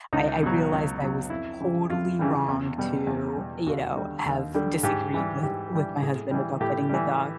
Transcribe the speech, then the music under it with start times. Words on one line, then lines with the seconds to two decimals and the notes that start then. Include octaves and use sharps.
I I realized I was totally wrong to, you know, have disagreed with with my husband about getting the dog.
0.13 C#2 D#4
0.43 B2 F#3
0.72 C#2
1.01 B2 F#3
1.30 F2 E4
1.60 C#3 E3 G3
1.89 F2 F4
2.19 C#3 E3 G3
2.48 E2
2.78 B2 G3
3.07 E2
3.36 B2 G3
3.66 D#2 F#4
3.96 D3 G3
4.26 D#2
4.54 D3 G3
4.83 G#2 G4
5.14 E3 G3
5.43 G#2 G4
5.73 E3 G3
6.02 A2 G#4
6.31 E3 G3
6.60 A2 G4
6.89 E3 G3